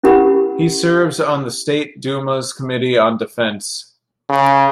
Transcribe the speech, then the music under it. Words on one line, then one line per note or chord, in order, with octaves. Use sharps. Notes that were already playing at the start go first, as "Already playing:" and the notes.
He serves on the State Duma's Committee on Defense.
C#4 E4 G4 A#4 F#5 B5
C#3